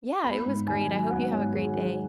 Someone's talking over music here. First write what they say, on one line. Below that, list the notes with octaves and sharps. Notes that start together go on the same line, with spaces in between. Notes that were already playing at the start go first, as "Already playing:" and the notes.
Yeah, it was great. I hope you have a great day.
B3 B5
G#2
D#3 G#5
F#3
B3 F#5
G#2 C#5
D#3 G#4
F#3 G#4